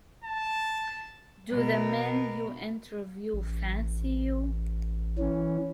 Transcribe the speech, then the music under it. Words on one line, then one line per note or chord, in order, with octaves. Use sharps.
'Do the men you interview fancy you?
A5
B2 A#4
A1
E3 C#4